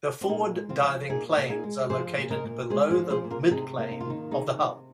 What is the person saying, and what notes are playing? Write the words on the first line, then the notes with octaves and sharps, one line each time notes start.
The forward diving planes are located below the midplane of the hull.
C4
A#2 D#4
G#3
C4 F4
F3
A#2 D#4 G#4
A#2
D#4 G#4
G#3
F3 G#4 C5
A#2
A#4 D#5
A#2
G#3 G#4 C5
G#4 C5
F3
G#4 C5
A#2
F4 A#4
C3 D#4 G#4
A#3
D#4
F4
D#3 D#4
C3 D#4 G#4
C3